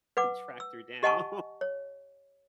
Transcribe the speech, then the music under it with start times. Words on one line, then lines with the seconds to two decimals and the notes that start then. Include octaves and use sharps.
tracked her down
0.17 B4 F#5 D6
0.60 E6
1.03 G4 D#5 F#5 G#5 A5 C#6
1.61 C#5